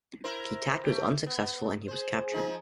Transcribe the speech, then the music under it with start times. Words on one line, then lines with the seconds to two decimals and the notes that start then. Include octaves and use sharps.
The attack was unsuccessful and he was captured.
0.24 E4 A#4 C5
0.84 A3 G4
1.26 B3
1.88 G#4 C5
2.32 F3 D#4 G#4